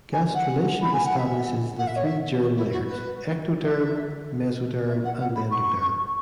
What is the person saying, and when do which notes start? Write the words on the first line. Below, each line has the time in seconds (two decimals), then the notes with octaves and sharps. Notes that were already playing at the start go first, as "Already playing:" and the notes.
Gastrulation establishes the three germ layers: ectoderm, mesoderm and endoderm.
0.12 G#5
0.34 F#5
0.81 B5
0.93 G#5
1.04 F#5
1.16 E5
1.78 F#5
1.87 E5
1.96 C#5
2.04 E5
2.40 F#4
2.56 E4
2.71 F#4
2.87 B4
3.64 E5
4.89 E5
5.04 F#5
5.19 F#5
5.35 B5
5.51 C#6